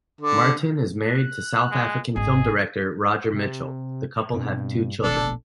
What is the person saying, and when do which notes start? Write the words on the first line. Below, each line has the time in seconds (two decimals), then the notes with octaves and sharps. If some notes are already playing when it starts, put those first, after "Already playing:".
Martin is married to South-African film director Roger Michell; the couple have two children.
0.21 D3
1.05 F#6
1.71 G#3
2.16 G#1 G#2 G#4 D#5
3.34 C3
4.34 G2 B2 C4
5.04 F1 A#1 B2 A3 D4 A4